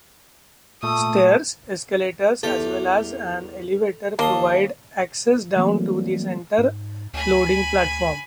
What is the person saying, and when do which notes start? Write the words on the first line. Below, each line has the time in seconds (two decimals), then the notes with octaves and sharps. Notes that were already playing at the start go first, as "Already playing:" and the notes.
Stairs, escalators, as well as an elevator provide access down to the centre-loading platform.
0.83 A#2 A3 D#6
2.43 E2 G4 A4 F7
4.19 D#2 A#3 A5 C6 D#6
5.56 E3 F#3 G3 A3 A#3 C4
6.58 G#2
7.13 D2 G#5 B5